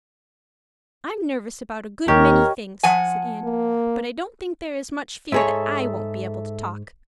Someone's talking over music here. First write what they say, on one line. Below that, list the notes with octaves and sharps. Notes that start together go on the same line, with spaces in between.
"I'm nervous about a good many things," said Anne, "but I don't think there is much fear that I won't be able to talk."
D#2 G4 A#4 C#5 D#5
F3 F#5 G#5
A#3
G#2 G#4 A4 C#5 E5